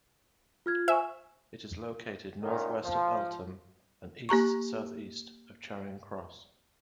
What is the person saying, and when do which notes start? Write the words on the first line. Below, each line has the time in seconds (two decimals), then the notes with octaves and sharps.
It is located north west of Eltham and east south-east of Charing Cross.
0.66 F4 F6 G#6
0.88 C5 E5 G#5 C#6
2.42 F#2 A#2 D#3
2.84 F3
4.29 A#3 G4 A#5 C#6